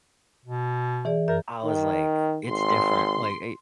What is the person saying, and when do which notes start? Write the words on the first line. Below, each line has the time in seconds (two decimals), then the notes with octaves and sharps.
I was like it's different. Like, eh
0.45 B2
1.05 E3 G#4 D5
1.28 F#2 A#4 E5 G6
1.65 D#3
2.49 G#1 C6